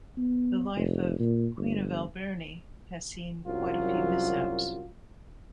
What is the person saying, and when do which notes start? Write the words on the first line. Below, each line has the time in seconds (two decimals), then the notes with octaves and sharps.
The life of "Queen of Alberni" has seen quite a few mishaps.
0.17 B3
0.76 F1
1.20 A#2
1.57 G1
3.46 C2 F#2 F#3 F4